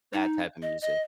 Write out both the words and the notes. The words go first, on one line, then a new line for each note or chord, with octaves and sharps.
that type of music.
D#4
D#5
D#5